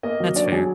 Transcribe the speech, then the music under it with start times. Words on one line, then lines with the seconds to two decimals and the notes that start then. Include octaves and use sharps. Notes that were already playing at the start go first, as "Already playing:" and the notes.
That's fair.
0.03 A#3 D#5
0.20 F#3
0.36 D4 D5
0.44 C#5
0.52 F#3 G#4